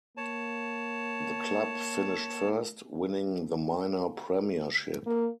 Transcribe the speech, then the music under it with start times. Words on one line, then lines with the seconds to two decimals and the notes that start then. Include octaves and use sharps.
The club finished first, winning the Minor Premiership.
0.17 A#3 C#5 A5
5.06 A#3